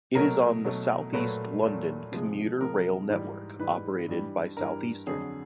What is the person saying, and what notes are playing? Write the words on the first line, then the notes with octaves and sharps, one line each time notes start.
It is on the south-east London commuter rail network operated by Southeastern.
B2 F#3 A3 A#4
B2 F#3 A3
A#2 F#3 A3 B4
A#2 F#3 A3
C3 F3 G#3
C3 F3 G#3 A#4
G#2 E3 G3
G#2 E3 G3 B4
G2 E3 G3
G2 E3 G3 A#4
F2 D3 F#3 G#4